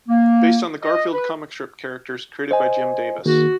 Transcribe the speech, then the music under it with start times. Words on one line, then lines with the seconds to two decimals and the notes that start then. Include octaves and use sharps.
Based on the Garfield comic strip characters created by Jim Davis.
0.09 A#3
0.83 D#5
1.13 B4
2.51 C5 D#5 G#5
3.26 D#3 A#3 F#4 G#4